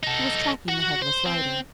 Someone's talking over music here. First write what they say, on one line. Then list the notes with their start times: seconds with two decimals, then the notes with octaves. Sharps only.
He was tracking the headless rider.
0.03 D#4 A4
0.68 F#4 F#5
1.02 C5
1.26 C4